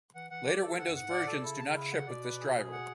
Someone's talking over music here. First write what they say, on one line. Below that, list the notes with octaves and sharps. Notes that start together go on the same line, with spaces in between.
Later Windows versions do not ship with this driver.
E3 F#5
E3 F#5
F#3 D5
E3 A4
F#5
F#2
F#5
G#2
A2 D5
B2 A4
C#3 E4
A5
E4
F#5
B2 D5
B4
G#4
G#4
F#5